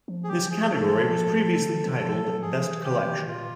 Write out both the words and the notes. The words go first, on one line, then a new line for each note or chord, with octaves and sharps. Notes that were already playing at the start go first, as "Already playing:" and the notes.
This category was previously titled "best collection".
F3
G#4
F#3 G4
F3 G#4
F3 A4
E3
F3
D3
D#3
E3
F3 A4
F#3
F3 G#4
E3
D#3 G4
E3
E3
D#3
A#2 F4